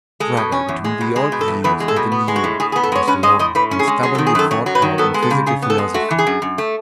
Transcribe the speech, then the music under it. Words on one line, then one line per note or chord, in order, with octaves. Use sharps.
The struggle between the old views and the new was long and stubbornly fought out in physical philosophy.
G#3 A4
B2
C#4
E2
G#3
B2
G#3
B2
A4
E2
E2 B4
G#3
A4
B2
B3
G#3
F#4
A2
A2 G#4
G#4
B3
A4
G#3 C#5
C#4 B4
G#3 D#5
A2 D#5
A2 B4
C#4
G#4
G#3
F#3 G#4
A4
D#3
G#4
F#2 A4
F#2 C#5
F#3
B4
D#3
B3 A4
G#3
A4
C#3
C#3 G#4
B3
A4
G#3
A3 F#4
E3
G#4
F#2
F#2
A3